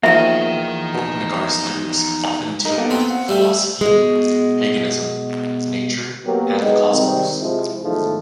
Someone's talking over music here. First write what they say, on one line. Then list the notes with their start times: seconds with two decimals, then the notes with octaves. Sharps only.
Borknagar's lyrics often deal with philosophy, paganism, nature, and the cosmos.
0.03 E2 F3 A#3 D#4 E5 G5
2.65 D#4 A#4
2.78 A#3 B3 A4
2.90 C4
3.10 F#5
3.28 G3 A3 G4 E6
3.81 B2 G#3
6.25 F#3 A#3 B3 G4 A#4
6.61 G#3 B3 D#4
6.90 C3 D#3 G3 G#3 C4
7.40 C3 F3 G#3 E4
7.83 E2 G#2 D#3 F3 F#3 A3